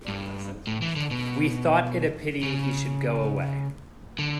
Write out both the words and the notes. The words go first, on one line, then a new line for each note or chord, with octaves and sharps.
We thought it a pity he should go away.
G2
A2
E3
D3
B2
C#3
D3